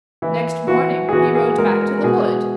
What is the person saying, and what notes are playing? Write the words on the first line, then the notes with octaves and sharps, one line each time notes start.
Next morning he rode back to the wood.
E3 E4
E3 F#4
G#4
E3 F#4
G#4
G#3 A#4
A#4
A#4
B2 G#4